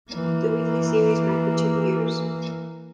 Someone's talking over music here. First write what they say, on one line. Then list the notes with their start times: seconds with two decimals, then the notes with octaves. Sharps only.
The weekly series ran for two years.
0.10 E3 A#3